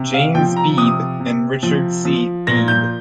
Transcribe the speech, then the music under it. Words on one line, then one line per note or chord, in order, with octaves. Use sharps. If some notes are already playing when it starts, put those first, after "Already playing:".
James Beebe and Richard C. Beebe.
Already playing: C3
F5
F3 G5
A#5
C3 D#6
C3
F3
F3
A#2 A#6
G6